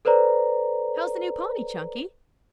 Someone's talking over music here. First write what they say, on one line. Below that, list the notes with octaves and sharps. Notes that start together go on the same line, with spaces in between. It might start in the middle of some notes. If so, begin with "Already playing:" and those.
How's the new pony, Chunky?
A4 B4 C5 D5 A#5